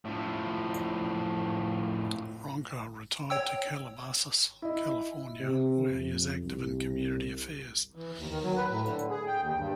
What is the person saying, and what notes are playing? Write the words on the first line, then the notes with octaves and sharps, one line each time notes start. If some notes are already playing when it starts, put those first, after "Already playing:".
Ronka retired to Calabasas, California, where he is active in community affairs.
A2 F3
C#5 G5 E6
E4 D#5
C3
F2
C2
E3
D#2
D#3
F#3
B4
A2
D3
G#4
G5
D#2
G2